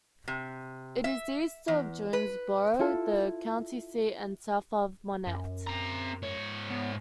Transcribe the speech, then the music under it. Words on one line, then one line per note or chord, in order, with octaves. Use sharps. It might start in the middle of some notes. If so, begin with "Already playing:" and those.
It is east of Jonesboro, the county seat, and south of Monette.
C3
E5
E2
B4
E4 F4 A4
F#2
C4 A#5
G#2 C#5
B3